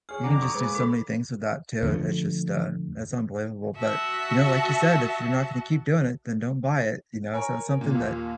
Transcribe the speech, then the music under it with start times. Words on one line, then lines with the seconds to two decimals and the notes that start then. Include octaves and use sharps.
You can just do so many things with that too. It's just, uh, that's unbelievable, but, you know, like you said, "If you're not gonna keep doing it, then don't buy it," you know? So it's something that
0.09 G#4 C#5 F6
0.24 F2 D4 F#5 A#5 D6
0.42 C#6 D#6
0.54 A#2 G#3 G#4 B4
0.75 A4 B5
1.83 F2 D3 F3 A3
3.77 F#4 E5 F#5 A5
7.34 A#4 C#5 G#5
7.81 A#2
7.95 D#2